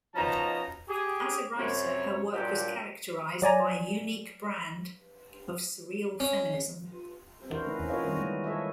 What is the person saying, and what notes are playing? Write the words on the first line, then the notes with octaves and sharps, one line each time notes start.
As a writer her work was characterized by unique brand of surreal feminism.
B2 F3 C#4 D#4 A5 A#5
G4 G#4
F#2 C3 C#5
G2 A#2 F#3 G4
F#3 D5 G#5 A#5
C#4
E3 D4 E4 F#4 A#4 C5
C#3 A3 C#4 D#4 B4
F4 F#4 A#4 C#5 D#5 F5
D#3 G3 B4
G#3 A#3 B3 E4
A4 C#5 D#5 E5